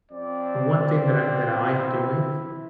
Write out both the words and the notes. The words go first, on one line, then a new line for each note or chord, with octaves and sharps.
the one thing that I that I like doing
F2 C4 D5
E4